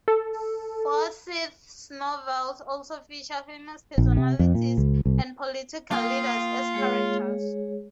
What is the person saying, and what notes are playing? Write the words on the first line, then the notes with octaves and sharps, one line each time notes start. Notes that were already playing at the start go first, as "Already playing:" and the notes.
Forsyth's novels also feature famous personalities and political leaders as characters.
A4
A#1
C3
F2
A#2
C#2
C2
A#3 F4 F5 G5 D#6
G#3 G#4 C#5